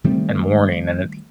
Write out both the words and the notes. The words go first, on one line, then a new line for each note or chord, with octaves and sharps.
and morning, and it
D#3 G3 A3 C4